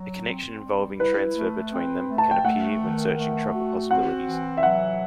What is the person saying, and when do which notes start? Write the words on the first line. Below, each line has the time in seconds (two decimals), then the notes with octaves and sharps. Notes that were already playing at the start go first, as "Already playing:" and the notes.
A connection involving transfer between them can appear when searching travel possibilities.
Already playing: F#3
0.27 C4
0.64 G3
1.00 E4 B4
1.36 A3
1.72 C4
2.08 A3
2.18 A5
2.31 G5
2.45 A3 F#5
2.82 D#3
3.18 A3
3.55 F#4
3.91 C4 F#5
4.27 E3
4.57 E5
4.63 F#3 F#5